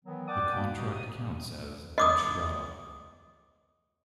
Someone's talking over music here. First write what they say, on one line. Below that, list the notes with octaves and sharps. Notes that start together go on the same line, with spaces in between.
The contract counts as "Entrada".
D#3 E3 F#3 B3
D5 F#5 G5 A5 D6 D#6
B2 A#3 B3
D#4 F#4 G4
C3 D#6
D#5 D6 D#6